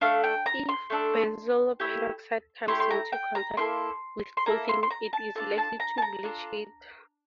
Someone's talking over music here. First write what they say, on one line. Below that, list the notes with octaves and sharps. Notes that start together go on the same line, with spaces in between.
If benzoyl peroxide comes into contact with clothing it is likely to bleach it.
A3 D4 A4 F5
G5
A#5
C6
A3 D4 A4
A3 E4 G4
A3 E4 G4 C6
C6
A#5
G5
A#5
A#3 E4 A4 C6
C6
A#3 E4 A4 A#5
C6
C6
A#5
A5
D4 F4 A4 A5
A5
A#5
A5
A#5
D4 F4 A4